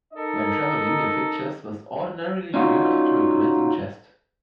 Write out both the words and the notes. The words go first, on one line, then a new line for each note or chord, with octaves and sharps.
When travelling your fixtures must ordinarily be limited to a collecting-chest.
D#4 A4 A#4 D#5
C#4 D#4 F4 F#4